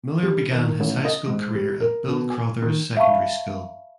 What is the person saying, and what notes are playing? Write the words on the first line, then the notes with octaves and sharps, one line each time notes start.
Miller began his high school career at Bill Crothers Secondary School.
G3
D#3
A1
D#5
G#2
G3
A#4
B2
G#5
D#3
E5 F5 A5 B5 C#6